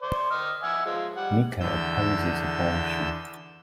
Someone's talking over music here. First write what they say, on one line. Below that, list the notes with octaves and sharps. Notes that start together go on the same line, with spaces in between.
Mica opposes abortion.
C5 D5
D#5 F6
E5 F#5 G#5
F3 G#3 F5
G3 F#5
E2 D3 E6 G6